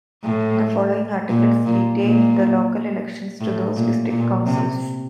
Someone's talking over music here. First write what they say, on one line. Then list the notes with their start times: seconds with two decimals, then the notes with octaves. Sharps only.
The following articles detail the local elections to those district councils.
0.24 A2
1.29 A#2
1.65 A#2
2.01 A#2
3.41 A2
3.76 A#2
4.11 A#2
4.46 C3